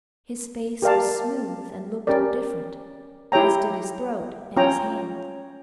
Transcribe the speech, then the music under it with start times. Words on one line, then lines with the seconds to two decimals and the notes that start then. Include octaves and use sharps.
His face was smooth and looked different, as did his throat and his hands.
0.82 G4 A#4 D5 F5 A5
2.07 C#4 G4 A#4 D5
3.32 E4 G4 C#5 G5 A#5
4.56 C#4 F4 C#5 G5 A#5